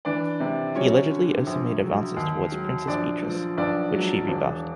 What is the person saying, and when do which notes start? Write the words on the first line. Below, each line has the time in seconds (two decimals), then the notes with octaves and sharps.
He allegedly also made advances toward Princess Beatrice, which she rebuffed.
0.05 E3 D4 D5
0.40 C3
0.75 F#3 C#4 C#5
1.11 D3
1.47 A#1
1.82 F#3
2.16 D#2
2.52 F#3
2.87 A#1 D4 D5
3.23 F3
3.58 B1 D4 D5
3.94 F#3
4.28 E1